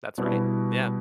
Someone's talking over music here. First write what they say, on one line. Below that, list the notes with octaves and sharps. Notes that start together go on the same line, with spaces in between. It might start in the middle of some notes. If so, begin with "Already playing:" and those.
That's right. Yeah.
B2 G3 B3 E4